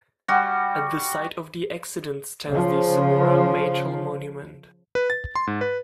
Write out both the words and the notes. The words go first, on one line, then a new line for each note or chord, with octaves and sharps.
At the site of the accident stands the Samora Machel Monument.
G3 F#4
C#3 F3
B4
A6
C6
G#2
B4